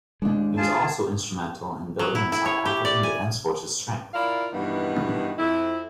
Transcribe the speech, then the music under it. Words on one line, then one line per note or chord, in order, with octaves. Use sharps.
He was also instrumental in building the South African Defence Force's strength.
D#2 G#3 D4
F4 G#4 A5
F#3
E4
E4
C#5
G4
D5
G#5
E4 F4 A#4 D5 F5
G2 B2 D#3 E3 B3
F2 E4